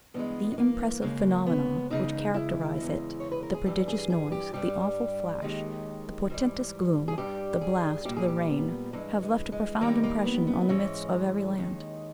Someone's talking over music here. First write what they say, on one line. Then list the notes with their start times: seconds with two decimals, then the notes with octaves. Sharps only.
The impressive phenomena which characterize it, the prodigious noise, the awful flash, the portentous gloom, the blast, the rain, have left a profound impression on the myths of every land.
0.14 G2 E3 G#3 B3
0.52 G#3
0.58 A#3
1.02 D#2 C#3 G#3 A#3
1.46 B3
1.90 E2 C#3 G#3 D#4
2.34 E4
2.78 E2 C#3 G#3
3.20 C#5
3.32 B4
3.43 A#4
3.54 G#4
3.66 G2 E3 G3 G4
3.88 G#4
4.10 G#4
4.32 G4
4.53 G2 G3 G4
5.42 D#2 D#3 G#3
6.30 G#2 E3 G3
7.08 G#4
7.18 G2 G3 G4
7.61 G#4
8.05 A#2 G3 G4
8.17 G#4
8.28 G4
8.50 B3
8.93 G2 E3 G#3 A#3
9.23 G#3
9.52 G#3
9.81 D#2 D#3 G3 A#3
10.03 A#3
10.25 B3
10.47 B3
10.69 G#2 E3 G#3 C#4
11.57 D#2 D#3 G#3